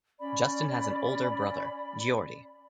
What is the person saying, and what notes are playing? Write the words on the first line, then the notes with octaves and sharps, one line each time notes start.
Justin has an older brother, Geordie.
C#4 D5 B5